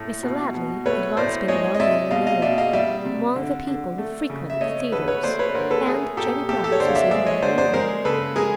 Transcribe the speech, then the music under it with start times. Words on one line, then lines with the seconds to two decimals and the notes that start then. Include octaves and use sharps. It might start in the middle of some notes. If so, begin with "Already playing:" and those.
Mr. Ladley had once been well known in New York among the people who frequent the theaters, and Jennie Brice was even better known.
Already playing: A2 A3
0.23 B2
0.55 B2
0.86 A3 B4 C#5
1.17 A2 C5 D5
1.48 G#3 C#5 D#5
1.75 D#5
1.80 C3 D5 E5
2.11 B2 D#5 F5
2.27 D#5 F5
2.42 B2 D5 E5
2.58 D#5 F5
2.73 G3 D5 E5
3.05 C3
3.36 D3
3.67 D3
3.98 A3
4.30 C#3
4.50 E5
4.61 A3 C#5 D#5
4.92 D3 A4 B4
5.08 B4 C#5
5.23 A3 C5 D5
5.39 B4 C#5
5.55 D3 A#4 C5
5.71 A4 B4
5.86 A3 G#4 A#4
6.17 A#2 G4 A4
6.49 A3 G4 A4
6.64 G4 A4
6.72 C#5
6.80 D3 C5 D5
6.88 F5
6.95 D5 E5
7.11 G#3 D5 E5
7.26 C#5 D#5
7.42 D3 C5 D5
7.58 C5 D5
7.73 G#3 A#4 C5
8.05 C#3 A4 B4
8.36 G#3 G#4 A#4